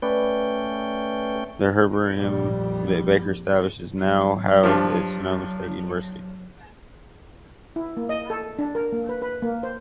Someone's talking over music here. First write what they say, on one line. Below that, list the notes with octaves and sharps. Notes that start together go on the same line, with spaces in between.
The herbarium that Baker established is now housed at Sonoma State University.
A3 C#4 B4 D5 G5
A#1 F2 A#2 G3
F#3
G2 F3
E4
A#3
D#5
A4
D4
A#4
A#3
B4
B4
A#3
C5